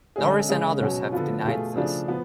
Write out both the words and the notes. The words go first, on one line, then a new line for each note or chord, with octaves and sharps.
Norris and others have denied this.
D3 G#3 C#4 G#4
C#3 G#3 C#4 G#4
B2 F#3 C#4 F#4
D3 F3 B3 F4
B2 A3 F4 G#4
C#3 F3 A3 D4 G#4
F3 B3